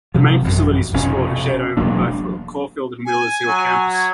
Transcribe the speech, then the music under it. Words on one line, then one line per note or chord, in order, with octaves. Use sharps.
The main facilities for sport are shared over both Caulfield and Wheelers Hill campus.
C3 F3
A1 F#2
F1 F2 B2 C#4
E1 F#3 A#3 D4
G#5
F#3
G#6